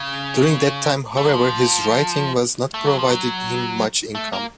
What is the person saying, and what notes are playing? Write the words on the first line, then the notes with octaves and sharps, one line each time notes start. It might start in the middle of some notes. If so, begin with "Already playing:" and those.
During that time, however, his writing was not providing him much income.
Already playing: C#3
A3
F#3
F3
A3
F#3
F3
F#3
A3
A#3